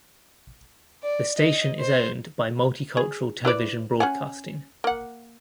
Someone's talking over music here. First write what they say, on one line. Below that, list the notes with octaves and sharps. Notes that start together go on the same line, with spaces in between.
The station is owned by Multicultural Television Broadcasting.
D5
D#5
C5
G#4
E4 B4 D5
C#4 F#5 G#5
A#3 F#5